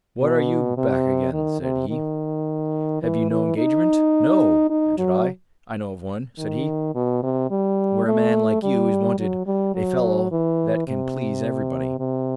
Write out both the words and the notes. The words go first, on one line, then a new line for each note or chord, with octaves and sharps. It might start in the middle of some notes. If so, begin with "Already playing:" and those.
"What, are you back again?" said he, "Have you no engagement?" "No!" answered I. "I know of one," said he, "where a man like you is wanted--a fellow that can please everybody."
B2
C3
D#3
C3
D#3
E3
E3
D#4
D#4
F#3
D#3
B2
C3
G3
A3
G3
F#3
G3
F#3
E3
C3
C3